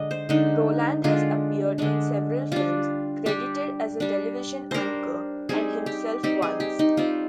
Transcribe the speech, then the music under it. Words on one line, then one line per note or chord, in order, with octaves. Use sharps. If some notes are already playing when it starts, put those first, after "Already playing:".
Roland has appeared in several films, credited as a television anchor and himself once.
Already playing: D3 G#3 D4 D#5
C5
D3 G#3 D4 D#4
D3 G#3 D4 F4
D3 G#3 D4
G3 D4 F4
G3 D4 G4
G3 D4
G3 D4 A#4 C5
G3 C4 D#4 G#4
G4
G3 C4 D#4 G4
G#4
G4
D#4
G3 C4 D#4 F4